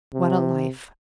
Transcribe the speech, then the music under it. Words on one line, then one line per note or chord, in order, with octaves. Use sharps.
What a life!
C3